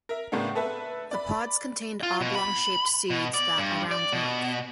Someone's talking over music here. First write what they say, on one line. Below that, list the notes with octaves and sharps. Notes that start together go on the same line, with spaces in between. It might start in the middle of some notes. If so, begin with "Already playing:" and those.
The pods contain oblong shaped seeds that around in length.
A#4 E5
A2 C#3 A#3 B3 D4
A4 B4 E5 A5
D5 B5
F4
B2
B5
B2
D5
G2
D5
B2